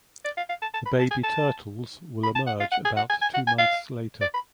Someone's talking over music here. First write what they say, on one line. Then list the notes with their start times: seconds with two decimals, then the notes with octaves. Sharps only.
The baby turtles will emerge about two months later.
0.25 D5
0.37 F5
0.49 F5
0.62 A5
0.74 A5
0.86 B5
0.99 A5
1.11 G#5
1.23 A5
2.23 B5
2.36 A5
2.47 F#5
2.60 F5
2.72 F#5
2.85 G#5
2.97 F#5
3.10 G#5
3.22 G#5
3.34 F#5
3.47 G#5
3.58 F5
4.21 D5
4.34 B5